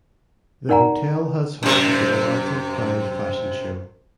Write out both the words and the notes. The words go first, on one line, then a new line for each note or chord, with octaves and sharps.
The hotel has hosted the Vallarta Pride Fashion Show.
D#4 A#4 D5 F#5 G#5 A#5
F#2 C3